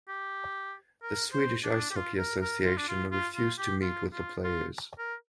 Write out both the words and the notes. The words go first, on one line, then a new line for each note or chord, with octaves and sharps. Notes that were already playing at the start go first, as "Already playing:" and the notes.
The Swedish Ice Hockey Association refused to meet with the players.
G4
A#4
C5
D4
G4
F4
A#4
A#4
F4
D4
F4
F4
F4
G4
F4
F4
F4
A#4